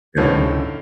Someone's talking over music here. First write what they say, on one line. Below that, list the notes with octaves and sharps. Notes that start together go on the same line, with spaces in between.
definitely not.
A2 D3 D#3 F3 C#4